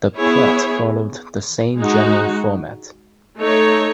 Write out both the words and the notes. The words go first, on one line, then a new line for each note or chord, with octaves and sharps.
The plots followed the same general format.
B3 E4 G#4 C#5
G#3 D#4 F#4
A3 D#4 A4 C#5